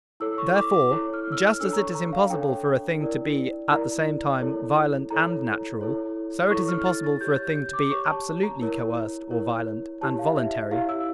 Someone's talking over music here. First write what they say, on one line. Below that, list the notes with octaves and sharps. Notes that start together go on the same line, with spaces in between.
Therefore, just as it is impossible for a thing to be at the same time violent and natural, so it is impossible for a thing to be absolutely coerced or violent, and voluntary.
E4 A4 C#5 E6
C#6
D6
D6
E4 A4 C#5
F6
E6
F6
D4 A4 C#5 E6
A#5
C#6
A#5
F5
D4 A4 C#5 G5
E4 A#4 D5
E4 A#4 D5 A#5
E4 A4 C#5
E4 A4 C#5 A#5
E4 A4 C#5
E4 A4 C#5 C#6
F6
A6
A6
G4 C#5 G6
G6
G6
D6
G4 C#5 C#6
A5
A#5
E4 A#4 C#5
E4 A#4 C#5
E4 G4 C#5 A5
F5
E5
E5
E4 G4 C#5 F5
E6